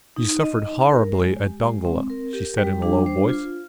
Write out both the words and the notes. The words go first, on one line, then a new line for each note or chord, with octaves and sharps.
"You suffered horribly at Dongola," she said in a low voice.
D#4
D#5
D#4
A#4
G#3
G4
G#3
C4
A#4
G4
G3
D4
C5
F4